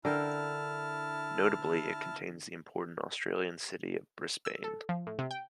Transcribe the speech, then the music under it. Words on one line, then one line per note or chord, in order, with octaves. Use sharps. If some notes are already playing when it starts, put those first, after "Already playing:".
Notably, it contains the important Australian city of Brisbane.
D3 E4 A#4 G5 A5 F6
E6
A4
F3
A2
C3
G5